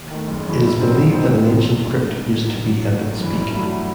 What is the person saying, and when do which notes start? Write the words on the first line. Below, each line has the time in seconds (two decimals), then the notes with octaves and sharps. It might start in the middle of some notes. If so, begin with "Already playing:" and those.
It is believed that an ancient crypt used to be at its peak.
Already playing: D#2
0.11 D#3 A3
0.28 F#1
0.45 F#2 E3 A3
0.62 G2
0.80 F#3 C4 D#4
0.96 B1
1.14 B2 F#3 C4 D#4
1.31 E1
1.48 E2 D#3 G3 C4
1.65 G1
1.82 G2 F#3 A3
1.99 A1
2.16 G2 D#3
2.33 G2
2.50 D#3 F#3
2.68 F#2
2.84 F#3 A3
3.01 G1
3.19 F#2 E3
3.36 G2
3.53 F#3 A3 E4